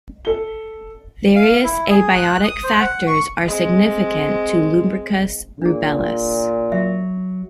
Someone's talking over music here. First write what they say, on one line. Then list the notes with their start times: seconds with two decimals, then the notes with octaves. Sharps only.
Various abiotic factors are significant to "Lumbricus rubellus".
0.25 A4 G7
1.36 F5
1.64 E4
1.90 G#4
2.15 F#6
2.44 D#6
2.64 C5
2.80 F#5
3.07 C#6
3.45 G#3 C4
5.62 A#2 D4 G#4
6.72 F#3 E5